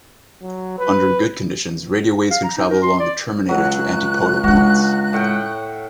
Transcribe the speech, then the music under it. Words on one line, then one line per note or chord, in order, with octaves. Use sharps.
Under good conditions, radio waves can travel along the terminator to antipodal points.
F#3
B4
F5
A#5
D#4
A#4
C6
D5
C#2 F#3 F#6
G#3 D4 F#4
A2 F#5 G5